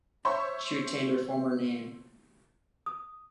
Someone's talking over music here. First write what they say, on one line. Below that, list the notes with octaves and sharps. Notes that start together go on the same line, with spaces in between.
She retained her former name.
C5 C#5 E5 C6 C#6
D#6